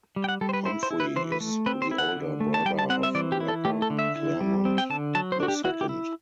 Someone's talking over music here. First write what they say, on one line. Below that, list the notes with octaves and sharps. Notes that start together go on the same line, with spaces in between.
Humphrey is the older brother of rapper Clairmont the Second.
G3
G5
F#5
G3 A4
C5
B4
E4 C5
C5
E4
B4
E3 C5
B4
A3
C4 B4
C5
E4
F#5
D3
A3
A5
G3 G5
A5
C4 F#5
E5
E3 D5
G4
E4
A4
A3 G4
A4
D3
E5
E4
G3
C4
G5
D3 A5
F#3 A5
C5
D4 F#4
G4
E4 F#4
G4
E4